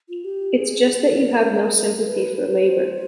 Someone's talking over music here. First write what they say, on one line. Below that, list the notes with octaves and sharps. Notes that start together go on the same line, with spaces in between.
It's just that you have no sympathy for labour.
F4
G4
G#4
A4
A#4
B4
B4
C5